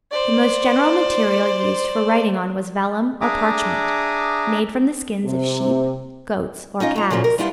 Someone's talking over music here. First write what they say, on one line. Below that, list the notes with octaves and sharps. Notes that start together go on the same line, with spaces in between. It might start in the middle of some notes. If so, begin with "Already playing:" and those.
The most general material used for writing on was vellum or parchment, made from the skins of sheep, goats, or calves.
C5 D5
D4 G#4 E5 A#5 D6 D#6
C3
C#4 D#4 F4 D#5
F2 A#5
A#2 C#3 F3 F#3 A#3
A#4
G3 B3 D4 E4 F4 G4